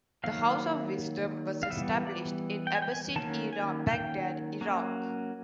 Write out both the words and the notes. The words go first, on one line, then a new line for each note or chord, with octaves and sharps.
The House of Wisdom was established in Abbasid-era Baghdad, Iraq.
D#3 F#3 A#3 F5
F5
E3 G3 B3 E5
D5
G5
G#5
G5
G#5
D#3 F#3 A#3 C#4 A5
G#5
G5
F#3 A#3 C#4